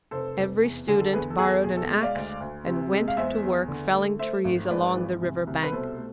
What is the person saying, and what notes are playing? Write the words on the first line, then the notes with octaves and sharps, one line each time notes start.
Every student borrowed an ax and went to work felling trees along the river bank.
F1 A4 C5
F1
E2
D3 G#4
A4
E2 G#4 B4
A4
E2 G#4
A4
B2 G#4
A4
G#3
D5 F5
D2
D2
C3
G#3
F5
E2 C5 E5
E2
D3
A3
A3 C5 E5
G#1
G#2 B4 D5
E3
C2
C2
B4
B2 A4 C5
A3